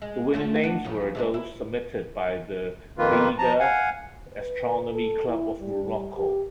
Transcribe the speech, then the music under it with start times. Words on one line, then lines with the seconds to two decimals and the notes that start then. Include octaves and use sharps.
The winning names were those submitted by the Vega Astronomy Club of Morocco.
0.02 G#3
0.34 A3 C#4 F4
0.64 D4 F#4
0.84 F#2 C#3 F3
1.15 C3 G#3 D4
1.34 E4
2.98 F2 D#3 A#3 F4 B4
3.38 F3 A5 A#5
3.60 F5 F#5 G#5
4.37 B4
4.92 A4
5.28 E4
5.61 G3
6.16 G4